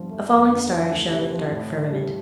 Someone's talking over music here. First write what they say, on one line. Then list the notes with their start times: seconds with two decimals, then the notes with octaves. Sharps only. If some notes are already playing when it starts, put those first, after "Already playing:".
A falling star shone in the dark firmament.
Already playing: G2 F3 B3
0.11 A3
0.31 F2
0.50 D3
0.71 F3
0.91 D2
1.10 C3
1.31 F3
1.51 A2
1.71 E3
1.91 G3